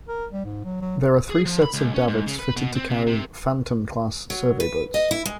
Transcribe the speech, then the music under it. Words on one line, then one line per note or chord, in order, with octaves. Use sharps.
There are three sets of davits fitted to carry "Fantome"-class survey boats.
A#4
G3
G#2
F#3
F#3
G#4
F3
B5
C#2
C#4
G#2
C#3
B4
B2
C4
C3
C3
F#3
B4
D#5
E4
G#3